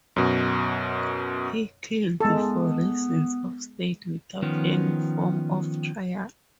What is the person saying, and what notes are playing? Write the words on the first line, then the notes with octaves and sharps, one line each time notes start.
He killed for reasons of state without any form of trial.
F#2 B2
G#3 B3 A4
D#3 F3 B3 C#4